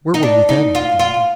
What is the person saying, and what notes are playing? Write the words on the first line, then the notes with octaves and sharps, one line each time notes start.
'Where were you then, old lady?'
D#4
D4
D#4
F4
F4